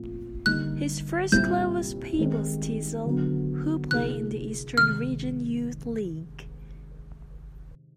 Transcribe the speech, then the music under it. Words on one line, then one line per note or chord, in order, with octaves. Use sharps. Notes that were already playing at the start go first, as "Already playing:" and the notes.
His first club was Peebles Thistle, who play in the Eastern Region Youth League.
Already playing: A#2 F3 A3 C4 F4
D3 G3 A#3 D#4 F#6
C2 A#2 G3 C4 E4 G6
D#3 G#3 C4
D3 F#3 B3
C3 F3 A#3 D#4 G#4 F#6
C3 D#3 G#3 F6